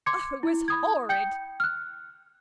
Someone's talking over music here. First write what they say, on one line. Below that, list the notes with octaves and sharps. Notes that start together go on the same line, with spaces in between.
Oh, it was horrid!'
C6 D6 G#6 C#7
E4
B5 D#6 G#6
G5 G6 C#7
F6 F#6